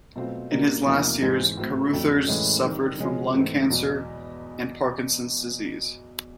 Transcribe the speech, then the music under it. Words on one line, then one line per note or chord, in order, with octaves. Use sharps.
In his last years Carruthers suffered from lung cancer and Parkinson's disease.
B2 F#3 A3 C4 F4
A#2 G3 A#3 D#4 F#4
E2 C3 F3 A#3 D#4
G#2 E3 G#3 C4
A2 F#3 A3 C4
F2 D3 F#3 A3
A2 E3 G#3 C#4
D#3 G3 C4
C#3 F3 G#3 C#4 F#4
G#2 E3 A3 C4
E2 B2 F#3